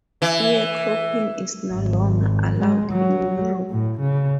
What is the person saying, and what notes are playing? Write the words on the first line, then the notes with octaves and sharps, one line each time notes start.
Ear cropping is no longer allowed in Europe.
E3
G#1
G#3
F#3
A2
C#3